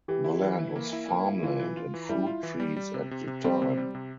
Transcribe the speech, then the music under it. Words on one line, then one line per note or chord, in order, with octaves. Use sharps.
The land was farm land and fruit trees at the time.
E3 G4
E4
E3
E4
A#3
E4
A#3
E4
E3 F4
E3
F4
E3
G3 E4
F4
E3
G3
G3
C3
C3
C3
G3 C4
C3
G3
C3